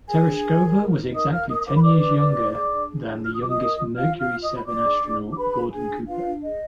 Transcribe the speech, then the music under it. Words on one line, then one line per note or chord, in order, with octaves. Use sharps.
Tereshkova was exactly ten years younger than the youngest Mercury Seven astronaut, Gordon Cooper.
G#4 A#4 G#5
D4
A#4
A#4
A#4
D#4
A#4 D#5 D#6
A#4 F5 F6
A#4 D#5 D#6
A#4 D6
B5
B4 D5 D6
D4
B4
D4
G#4
D4
G#4
D4
F4 F6
D#6
F4 D6
D#5 D#6
A#4
F4
F4 F5 F6
F4
F5 F6
F4
D#5 D#6
F4
B5
D4 D5 D6
G#4
D4
D4
D6
G#4 B4 B5
D4
D4 G#4 G#5
D4
F4 B4 F5
D4
G#4 D#5